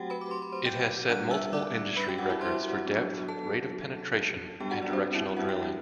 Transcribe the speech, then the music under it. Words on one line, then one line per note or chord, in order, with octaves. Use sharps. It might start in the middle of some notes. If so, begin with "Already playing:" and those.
It has set multiple industry records for depth, rate of penetration and directional drilling.
Already playing: F#3 A3 C4 F#4 G4 C5 F#5 G5
B4 B5
D6
C6
B5
C5 C6
G5 G6
G3 B3 D4 F#5 F#6
E5 E6
D5 D6
B4 B5
G4 G5
F#4 F#5
E4 E5
C5 C6
F#4 F#5
F#3 B3 D4
A4 A5
G3 B3 D4 G4 G5
F#4 F#5
D4 D5
C4 C5
E4 E5
E4 E5
F#4 F#5
G4 G5